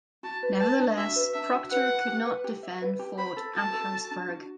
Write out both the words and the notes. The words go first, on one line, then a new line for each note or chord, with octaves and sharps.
Nevertheless, Procter could not defend Fort Amherstburg.
F#4 A5
B4
B4 A5
D4
F#4 E5
B4
D4 E5
F#4
B4 F#5
B4
G4
B4
G4
E5
B4
G4
C5 B5
A4
F#4 A5
A4
F#4
D4
F#4